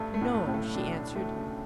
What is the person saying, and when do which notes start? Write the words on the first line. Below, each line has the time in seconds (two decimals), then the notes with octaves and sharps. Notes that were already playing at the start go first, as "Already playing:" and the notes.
"No," she answered.
Already playing: G2 A3
0.14 A3
0.21 A2
0.34 A3
0.47 A2
0.54 A3
0.74 B2 D4
0.95 D4
1.16 A3
1.35 C#3